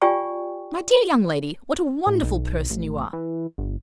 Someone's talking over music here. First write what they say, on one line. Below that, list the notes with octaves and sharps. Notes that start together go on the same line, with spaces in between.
My dear young lady, what a wonderful person you are!
F4 G4 D5 G5 G#5 C#6
A2
B1
A1
E3
G1